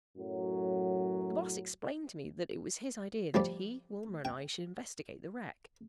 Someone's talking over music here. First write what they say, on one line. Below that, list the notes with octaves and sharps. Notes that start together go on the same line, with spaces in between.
The Boss explained to me that it was his idea that he, Wilma and I should investigate the wreck.
F#2 A2 F#3
F3 G3 D5
G5